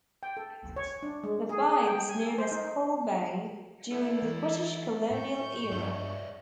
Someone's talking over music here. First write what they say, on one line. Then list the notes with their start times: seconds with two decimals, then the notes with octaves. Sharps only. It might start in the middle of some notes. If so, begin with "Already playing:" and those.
The bay was known as Cull Bay during the British colonial era.
0.23 G5
0.37 A4
0.76 C#5
1.03 D4
1.24 G#3
1.49 G#4
1.68 G#4
1.87 G5
2.09 G#5
2.22 A4
2.38 C5
2.52 D#4
3.92 E4 A4 D5 E5
4.22 E3
5.11 A2 C#6 G6
5.72 G2 C#5 D5 E5